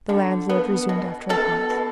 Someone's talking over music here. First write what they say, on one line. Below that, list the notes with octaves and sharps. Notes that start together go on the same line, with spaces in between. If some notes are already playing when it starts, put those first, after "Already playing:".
The landlord resumed after a pause.
D3
B3
B2
B2 A4
B2